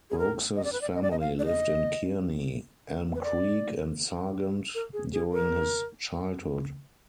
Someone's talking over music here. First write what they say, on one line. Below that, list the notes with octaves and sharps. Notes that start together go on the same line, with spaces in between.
Brooks' family lived in Kearney, Elm Creek, and Sargent during his childhood.
G#4
A#4
D#5
D5
B4
D5
D#5
D5
D#5
F5
D5
D#5
B4
D5
A#4
G#4
G#4
A#4